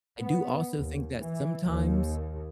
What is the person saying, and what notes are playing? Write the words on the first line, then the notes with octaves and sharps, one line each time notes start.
I do also think that sometimes
B3
D#2
E3
D#2